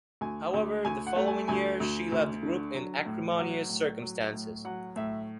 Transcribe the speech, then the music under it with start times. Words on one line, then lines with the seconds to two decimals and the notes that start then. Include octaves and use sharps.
However, the following year, she left the group in acrimonious circumstances.
0.21 D2 G#5
0.54 D2
0.85 D2 G#5
1.07 F#5
1.16 A3
1.28 G#5
1.48 D2 G#5
1.80 D2
2.12 D2
2.43 D3
2.75 F#3
3.06 A2
3.38 F#3 F#5
3.70 A2
4.02 F#3
4.34 A2
4.65 F#3 F#5
4.96 A2 E5